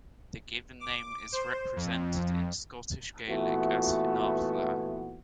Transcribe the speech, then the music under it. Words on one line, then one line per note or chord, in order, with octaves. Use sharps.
The given name is represented in Scottish Gaelic as Fionnlagh.
D6
C5
F2
A#2 E3 A3 B3 F4 F#4